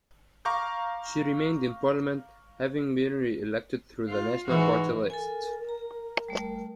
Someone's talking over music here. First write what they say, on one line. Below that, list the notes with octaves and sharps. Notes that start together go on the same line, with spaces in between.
She remained in Parliament, having been re-elected through the National Party list.
F5 A#5 C#6 D6 G6
F4
G#2 E3 F#4
A4 A#4 G#5
A#5
G3 A3